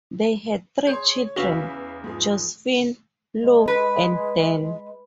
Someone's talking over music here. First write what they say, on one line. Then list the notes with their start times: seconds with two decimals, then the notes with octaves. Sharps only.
They had three children: Josephine, Lou and Dan.
0.87 G#4 C#5 C6 G6
1.36 E2 C#3 F#4 B4 F5 E6 B6
2.04 G#2 F3 G#4
3.39 G#3
3.68 B4